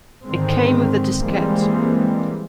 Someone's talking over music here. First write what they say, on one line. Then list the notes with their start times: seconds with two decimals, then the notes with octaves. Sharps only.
It came with a diskette.
0.25 G#2 D3 D#3 G#3 C4
1.19 E3 G3 G#3 A#3 C4